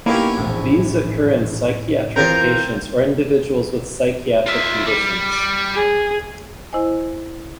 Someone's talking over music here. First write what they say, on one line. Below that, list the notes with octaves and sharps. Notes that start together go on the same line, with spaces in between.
These occur in psychiatric patients or individuals with psychiatric conditions.
A#3 B3 C#4 D#4 E4 G4 A#4 F5
E1 A#1 A2
E3 C4 F4 A#4 G6
F4 E5
G3
G#4
E4 C5 D#5 G#5